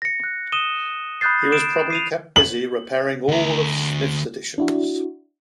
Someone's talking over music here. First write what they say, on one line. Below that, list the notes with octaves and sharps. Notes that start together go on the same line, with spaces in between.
He was probably kept busy repairing all of Smith's additions.
A#6 C#7
F#6
D#6 D#7 E7 G7
B5 D#6 F#6 G6 A6 C7
D7 E7
C7 D#7 F7
F#7
D2 A#5
D4 E4 F#4